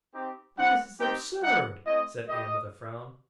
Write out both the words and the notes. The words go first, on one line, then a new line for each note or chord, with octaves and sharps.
"But this is absurd!" said Ann with a frown.
C4 D#4 G4
G3 C4 E4 F#5
C4 D#4 G4 G5
G3 D#4 G4 F#5
A3 C4 E4 D#5
A3 E4 G4 D#5